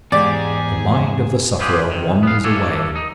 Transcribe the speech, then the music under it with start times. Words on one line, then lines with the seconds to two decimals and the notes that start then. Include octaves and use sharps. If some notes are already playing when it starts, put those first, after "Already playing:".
The mind of the sufferer wanders away.
0.12 E2 G#2 G4 G#4 D5
1.60 B3 F4 G4 G#4 B4
1.91 C3 D#3
2.23 B3 F5
2.44 D2 E3 A#3 D4 A4 C#5
2.96 D#4